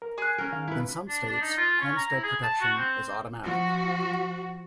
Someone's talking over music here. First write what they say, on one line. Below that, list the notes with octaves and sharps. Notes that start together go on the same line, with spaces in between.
In some states, homestead protection is automatic.
A#4
G#4 F#6
C#4 A#4
D#3 F5 F6
E4 B4
D4
D4
D#4
F4
C#4
A#5
E4
G#4
A5
F#4
C4
F3 F#4